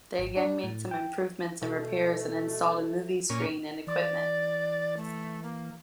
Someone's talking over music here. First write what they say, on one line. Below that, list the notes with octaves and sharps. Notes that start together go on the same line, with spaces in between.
They again made some improvements and repairs and installed a movie screen and equipment.
G#1
D4
A2
G5
B2 A3
A#2 C#4
E3 D5
A3
A#3